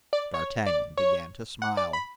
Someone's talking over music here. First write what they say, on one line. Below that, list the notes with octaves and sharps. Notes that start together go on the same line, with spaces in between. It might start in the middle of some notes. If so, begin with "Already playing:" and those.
D'Artagnan began to smile.
D5
C#5
D5
C#5
F#5
D5
B5